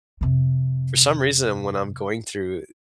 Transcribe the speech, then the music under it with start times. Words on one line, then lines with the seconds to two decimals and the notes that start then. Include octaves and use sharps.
for some reason, when I'm going through
0.21 F2 C3